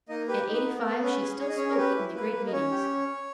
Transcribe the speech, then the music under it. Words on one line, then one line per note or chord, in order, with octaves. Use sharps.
At eighty-five she still spoke in the great meetings.
A#3 D#4 D#5
G4 B4
D#4
B4
B3
A#4
B3
C#4 B4
G#4
G#4 C#5
D#5
C#4 C#5
A#4
G4 B4
E4
A#3 B4
A#3
D#5
C#4 C#5
G4